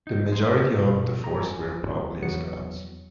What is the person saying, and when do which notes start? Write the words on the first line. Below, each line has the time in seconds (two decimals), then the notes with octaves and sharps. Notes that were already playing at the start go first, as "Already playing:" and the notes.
The majority of the force were probably Scots.
0.07 D#4
0.32 G#3
0.46 G4
0.59 A#2
0.80 B2
1.24 A#5
1.40 G#5
2.22 E2 F#3 B3 C#7